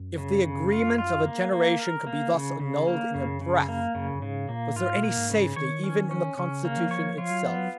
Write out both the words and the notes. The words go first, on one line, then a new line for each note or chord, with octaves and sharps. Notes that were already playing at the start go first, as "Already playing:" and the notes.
If the agreement of a generation could be thus annulled in a breath, was there any safety even in the Constitution itself?
Already playing: F#2
C#3
C#3
F4
F4
A#3
A#3
A#4
A#3
C#3
C#3
A#3
F#2 C#3
C#3
A#3
F#2 C#3
F#2
G#2 C#3
A#2 A#3
G#2 F4
B2
A#2 A#3
G#2
C#3
D#3 C#5
C#4
C#4
C#3 C#4
A#3
F3
C#5
F3 F4
F#3
F3 B3
F#3